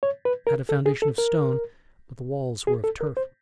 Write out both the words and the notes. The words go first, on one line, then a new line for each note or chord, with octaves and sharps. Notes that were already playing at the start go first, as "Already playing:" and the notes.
It had a foundation of stone, but the walls were of turf.
C#5
B4
A#4
A4
G#4
A4
A#4
G#4
A4
A#4
C5